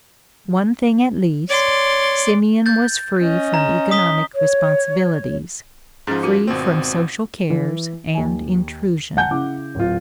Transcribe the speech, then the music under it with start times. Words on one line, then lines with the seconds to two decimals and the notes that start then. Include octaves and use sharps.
One thing at least, Simeon was free from economic responsibilities, free from social cares and intrusion.
1.50 C#5 D5 C6
2.66 G6 A6
3.21 C#4 D#5
3.54 A#5
3.91 D#6 B6 G7
4.33 C#5
6.07 G#2 F3 C#4 G#4 A#5
6.23 F4 F#4 A#4
6.47 G#1 B2 C4
7.50 E3
8.14 D#2 G#5
9.17 F#5 G#5 A5 G6
9.31 C#3 E4 D6
9.75 D1 F4